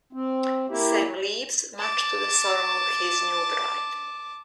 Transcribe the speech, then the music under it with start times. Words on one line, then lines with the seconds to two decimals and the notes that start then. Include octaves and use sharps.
Sam leaves, much to the sorrow of his new bride.
0.13 C4
0.69 A#3 E4 G4
1.79 A5 D6